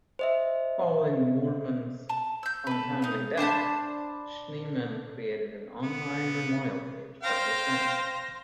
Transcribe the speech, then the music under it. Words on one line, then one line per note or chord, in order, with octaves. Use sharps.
Following Moorman's untimely death, Schneeman created an online memorial page for her friend.
C5 D#5 E5
A5
E6 G6
A4 B4
D#4 F5
D4 C5 A5 B5
B3
C5 F5 G5 A#6